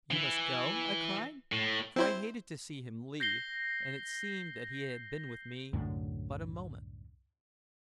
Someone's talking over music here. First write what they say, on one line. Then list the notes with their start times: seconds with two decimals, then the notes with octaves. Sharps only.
"You must go?" I cried, for I hated to see him leave and it seemed that he had been with me but a moment.
0.11 E3
1.52 A2
1.96 C4 E4 C5
3.20 G6 A#6 C7 G7
5.73 C2 F#2 A2 D3